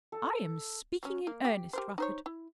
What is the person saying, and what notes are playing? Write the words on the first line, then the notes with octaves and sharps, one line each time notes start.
I am speaking in earnest, Rufford.
A4
F#3 C#4
A#3
G4
G4 A#4 C5
D#4 C5 C#5
E4